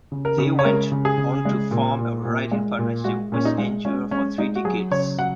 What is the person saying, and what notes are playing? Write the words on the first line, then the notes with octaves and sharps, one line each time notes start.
They went on to form a writing partnership which endured for three decades.
C#3
A#4
C#3
C#5
G#3 A#4
C#3
G#4
C#3
G#3
A#2
A#2
A#2
G#3
A#2
G#3 F#4
A#2 C#4
D#4
G#3
G#3 C#4
G#3 C#4
G#3 D#4
F#4
F#3 G#4
C#3 C#5
F#3 F#5